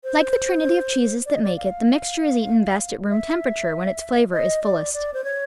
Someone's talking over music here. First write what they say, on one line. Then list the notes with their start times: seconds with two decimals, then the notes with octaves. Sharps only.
Like the trinity of cheeses that make it, the mixture is eaten best at room temperature, when its flavor is fullest.
0.04 C5
1.26 D5
1.34 D#5
1.42 D5
1.57 F5
3.10 E5
4.33 D#5
4.63 D5
4.94 D5
5.14 C5
5.24 C#5